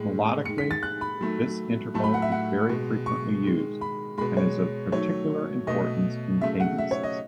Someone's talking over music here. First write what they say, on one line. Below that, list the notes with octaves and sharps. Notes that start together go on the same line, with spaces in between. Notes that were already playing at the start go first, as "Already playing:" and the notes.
Melodically, this interval is very frequently used, and is of particular importance in cadences.
Already playing: A2 G#3
D#3 G#3 C#7
B6
A6
F#6
B5
D#3 F#3 A3
A2 F#3 A3 A5
B5
F#5
E5
F#5
B2 G#3
C#6
D#3 G#3
B5
B2 G#3 B5
C#5
D#3 F#3 A3 C#5
B2 A3 D#5
C#3 F#3 A3 E5
F#5
E5
C#5
D#5